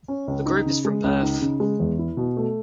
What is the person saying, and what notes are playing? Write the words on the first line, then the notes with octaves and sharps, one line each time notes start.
The group is from Perth.
C#4
C#2
D#4
C#3
G#3
C#2
D#4
C#3
G#3
E2
E4
B2
A3